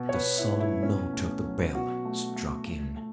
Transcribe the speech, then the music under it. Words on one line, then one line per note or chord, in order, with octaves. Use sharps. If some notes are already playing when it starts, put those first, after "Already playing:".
The solemn note of the bell struck in.
Already playing: B2
C#5
B4
B2
E4
A3
E4
B2 C#4
A3
F#3
B2 F#4
A3
A3
A3
A3